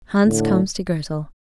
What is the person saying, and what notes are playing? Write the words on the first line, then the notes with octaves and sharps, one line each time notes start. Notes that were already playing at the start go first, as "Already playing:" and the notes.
Hans comes to Grettel.
A2 D3